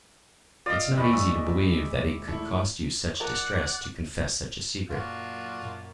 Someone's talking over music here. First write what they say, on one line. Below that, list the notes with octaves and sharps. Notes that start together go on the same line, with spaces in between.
It's not easy to believe that it could cost you such distress to confess such a secret....
F4 D5 D#5 D#6 F6 A6
D#1 E4 D#5 B5 C#6
G#3 E5
A3 E4
F3 A#4 D5 F#5
F#2 A#2 D4 F4 F#4
F#2 A#2